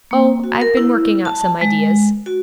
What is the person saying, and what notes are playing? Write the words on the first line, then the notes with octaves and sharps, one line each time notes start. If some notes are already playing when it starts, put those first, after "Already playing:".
'Oh--I've been working out some ideas.'
A#3
F#4
A#4
E4
A5
G#3
F#4